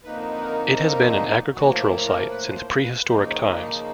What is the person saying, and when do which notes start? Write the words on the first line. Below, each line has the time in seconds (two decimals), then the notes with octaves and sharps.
It has been an agricultural site since prehistoric times.
0.04 F2 D3 F3 A#3 D#4 B4
0.33 B4
0.41 A#4
0.79 A4
0.89 A#4
1.00 A4
1.54 A2 F3 A#3 F#4
1.79 E4
2.06 A#4
2.30 B4
2.55 C5
2.81 B4
3.05 C#3 F3 A#3 D#4 C5
3.31 C#5
3.57 D5